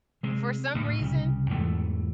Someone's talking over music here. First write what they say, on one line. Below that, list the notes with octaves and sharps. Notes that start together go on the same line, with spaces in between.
For some reason,
C3 G#3
D2 A2
C2 C#3
E2 G#2 E3 A3